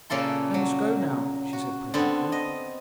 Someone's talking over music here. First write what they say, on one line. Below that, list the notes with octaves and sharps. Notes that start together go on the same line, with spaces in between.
'I must go now,' she said presently.
A#2 C#3 A#3 A4 C6
F#3
F#4
D3 B3 C4
D#5